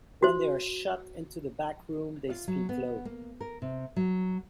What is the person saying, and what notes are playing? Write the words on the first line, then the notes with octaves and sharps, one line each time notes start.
When they are shut into the back room, they speak low.
F#4 C5
F4
F#3
B3
A#3
A#4
C3
F#3